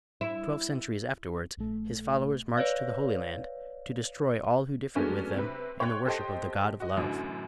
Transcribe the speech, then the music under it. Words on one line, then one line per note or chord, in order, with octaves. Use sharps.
Twelve centuries afterwards his followers marched to the Holy Land to destroy all who differed with them in the worship of the God of Love.
E4
A#1 A3
B4 C#5 D5 F5
F#3 G#3 A3 B3 C#4 D4
C3 C4 B4
C#5 G5 C6 F#6 G#6
G4 A4 C5 D#5 G5
F#4 D#5
A1 F#2 D3 F#3